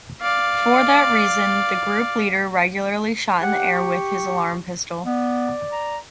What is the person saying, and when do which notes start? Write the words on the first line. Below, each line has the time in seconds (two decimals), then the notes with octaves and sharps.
For that reason, the group leader regularly shot in the air with his alarm pistol.
0.22 D5 F5
3.42 G4 F#5
3.75 C#6
5.06 B3 D5
5.72 A#5